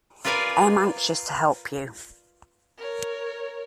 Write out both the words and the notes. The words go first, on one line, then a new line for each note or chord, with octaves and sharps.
I am anxious to help you.
F4 A#4 B4 D5 F5 G#5
A#4 C#5